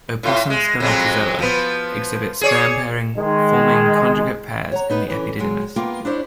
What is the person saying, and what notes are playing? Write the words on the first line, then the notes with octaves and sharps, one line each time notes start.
Opossum spermatozoa exhibit sperm-pairing, forming conjugate pairs in the epididymis.
A2 F4
G#3
F2 F#3 G#3
F3 B3
G#4 C#5 D5
D#3 G#3
C#5 F#5 A#5
B3 D#4 B4
D3 E3 C#4
A#2 F#3 G#3
A#3 B3 F4 A#4 G5
D4 E4 C5 C#5